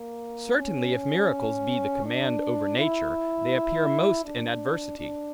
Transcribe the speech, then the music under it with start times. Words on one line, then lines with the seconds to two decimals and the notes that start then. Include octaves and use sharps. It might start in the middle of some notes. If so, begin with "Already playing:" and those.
Certainly if miracles be the command over nature, they appear most in adversity.
Already playing: A#3
0.59 C#4
2.05 D4
2.78 E4
4.25 D4
4.99 D4